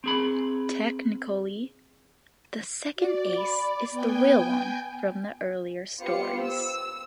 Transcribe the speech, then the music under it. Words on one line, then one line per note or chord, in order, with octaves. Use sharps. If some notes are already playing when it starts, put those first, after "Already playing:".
Technically, the second Ace is the 'real' one from the earlier stories.
C4 G#4 B5
F#4 D5
B5
B3 G5 G#5 G6
B3 F4 G4 C5 C#7
E6